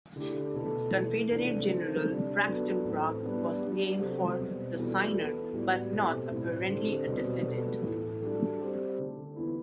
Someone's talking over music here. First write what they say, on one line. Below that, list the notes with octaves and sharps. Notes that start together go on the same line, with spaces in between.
Confederate General Braxton Bragg was named for the signer, but not apparently a descendant.
D3 A3 E4 G4
B2 A3 E4 A4
E3 A3 E4
C3 E3 A3 D4
D3 A3 C4
C3 G3 D4
F#3 B3 D4 F#4 A4
A2 E3 A3 C4
G3 B3 D4
G3 D4 G4
C3 F#3 C4 F#4 A4
B2 G3 C4
E3 G3 B3 F#4 A4
E3 B3 E4 A4
A2 G3 B3 F#4
B2 A3 C4 G4
A2 G3 C4 E4
D3 A3 C4 G4
B2 G3 C4 F#4
G3 B3 F#4 A4
A2 E3 A3
G3 D4 F#4 A4
G3 C4 G4
D3 A3 D4 A4
E3 B3 E4